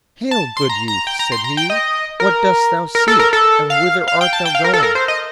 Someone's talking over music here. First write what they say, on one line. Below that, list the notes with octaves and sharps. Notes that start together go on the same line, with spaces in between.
"Hail, good youth!" said he, "what dost thou seek, and whither art thou going?"
A5
C6
A#5
A#5
G5
A#5
C6
A#5
G5
D#5
A#4
A#4
A4
A#4
A4
F5
F5
G5
A5
G5
F5
A#4
A4
A#4
C5
D#5